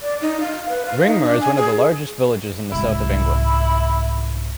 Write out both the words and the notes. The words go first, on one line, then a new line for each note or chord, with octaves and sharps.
Ringmer is one of the largest villages in the south of England.
D5
D#4
F5
B4
F5
D#4
D4
G#5
G#4
C2 G#2 E4